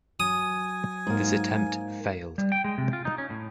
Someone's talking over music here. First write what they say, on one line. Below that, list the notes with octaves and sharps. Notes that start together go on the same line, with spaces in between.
This attempt failed.
F#3 G#5 D#6
G#2 A#3
G3
G5
G#3
C3
F4
D#4
C#4
A2